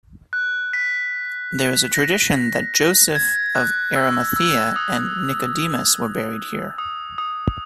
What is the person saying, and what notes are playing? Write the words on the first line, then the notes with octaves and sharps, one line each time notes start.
There is a tradition that Joseph of Arimathea and Nicodemus were buried here.
F#6
B6
A#6
A#6
G#6
F#6
E6
E6
D#6
D#6
D#6